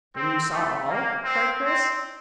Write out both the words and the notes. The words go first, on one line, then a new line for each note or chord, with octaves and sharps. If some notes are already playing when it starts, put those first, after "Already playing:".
"Then you saw all?" cried Chris.
C4
A3
A#3
C4
C4